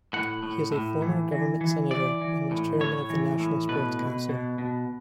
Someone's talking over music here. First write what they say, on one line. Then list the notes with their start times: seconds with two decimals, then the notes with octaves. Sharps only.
He is a former Government Senator and was Chairman of the National Sports Council.
0.13 A2 F#5
0.43 A2
0.72 A2
1.02 E3
1.32 E3
1.61 E3
1.91 E3 D5
2.21 E3
2.51 A2
2.80 A2 C#5
3.10 E3
3.40 A2
3.69 B2 B4
3.99 B2
4.29 B2
4.58 B2